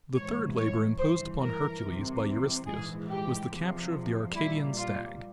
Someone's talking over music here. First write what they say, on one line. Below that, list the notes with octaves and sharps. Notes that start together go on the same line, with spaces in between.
The third labor imposed upon Hercules by Eurystheus was the capture of the Arcadian Stag.
A#1 G#2 E3 C#5
C#5
G1 G2 E3 C5
A#4
C2 C3 E3
A#1 G#2 E3 G#4
G4
E2 C3 F3
A#1 A#2 G3 E4
F4